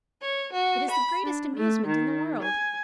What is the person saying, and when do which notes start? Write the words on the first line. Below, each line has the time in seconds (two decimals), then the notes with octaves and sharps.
It is the greatest amusement in the world!
0.21 C#5
0.54 F#4
0.90 B5
1.24 D4
1.55 A3
1.85 D#3
2.43 G#5